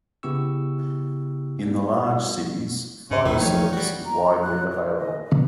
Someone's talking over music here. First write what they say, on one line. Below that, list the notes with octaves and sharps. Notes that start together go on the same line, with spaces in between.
In the large cities, fiber service is widely available.
C#3 B3 E4 G4 C#6 E6
G3 B3
G2 C#3
A#1 E2 D#3 E4
E3 F3 A3 C#5
G3 F#4
A#5
F#6
A#4
D#5
B4